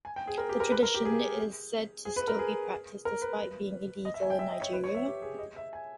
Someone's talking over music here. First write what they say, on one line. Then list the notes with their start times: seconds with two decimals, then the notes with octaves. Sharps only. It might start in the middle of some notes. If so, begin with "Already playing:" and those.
The tradition is said still be practiced despite being illegal in Nigeria.
0.05 G#5
0.16 G5
0.27 G#4
0.38 A#4
0.49 G4
0.60 A#4
0.71 B4
0.83 A#4
0.95 G4
1.05 G#4
2.05 G#4
2.16 B4
2.28 A#4
2.39 G#4
3.05 A#4
3.22 B4
4.05 D#5
4.14 E5
4.22 G#5
4.30 G5
4.39 E5
4.50 D#5
4.61 C#5
4.73 B4
4.84 C#5
4.95 E5
5.06 G4
5.22 G#4
5.39 D#5
5.56 E5
5.73 G#5